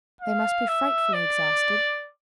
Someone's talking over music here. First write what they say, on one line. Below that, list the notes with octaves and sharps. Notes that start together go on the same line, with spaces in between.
They must be frightfully exhausted.
F5
E5
D5